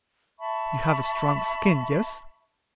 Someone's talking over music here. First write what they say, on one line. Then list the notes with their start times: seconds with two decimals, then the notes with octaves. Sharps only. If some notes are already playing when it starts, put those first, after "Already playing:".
You have a strong skin--yes?
0.39 E5 A5 B5 C#6